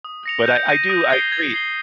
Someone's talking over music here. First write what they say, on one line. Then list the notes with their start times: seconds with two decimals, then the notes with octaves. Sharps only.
But I I do I agree.
0.05 D#6
0.26 A#6 C#7 F7
0.46 G6
0.69 A#6 D#7
0.89 D#6
1.10 G#6 C7 G7
1.32 G#6
1.54 C7 G7